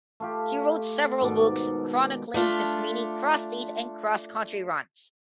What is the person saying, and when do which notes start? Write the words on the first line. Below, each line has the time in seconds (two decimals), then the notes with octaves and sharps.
He wrote several books chronicling his many cross-state and cross-country runs.
0.20 A3 F4 G4
1.21 G#2 B2 D#3 D5
2.34 A3 D4 F4